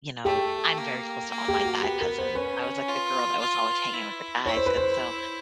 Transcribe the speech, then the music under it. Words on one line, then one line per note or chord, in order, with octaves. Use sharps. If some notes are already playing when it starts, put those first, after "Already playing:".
you know, I'm very close to all my guy cousins. I was like the girl that was always hanging with the guys, and so,
A3 G4
A#3
A#3
G4
F#4
B3 G4
A#4
C5
C#4 B4
F4
F4
E4
E4 C#5
C5
B4
C5